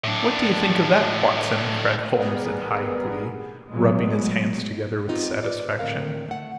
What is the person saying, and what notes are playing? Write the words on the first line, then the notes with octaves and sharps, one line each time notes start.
"What do you think of that, Watson?" cried Holmes in high glee, rubbing his hands together with satisfaction.
A2 D4
G#1 G3 B3 G#4 A#4
B2 F#3 G#3 B3
B3 C4 D#4 F4 G4
B4 D5
A2 D3 C4 A#4 F5
A3 F#5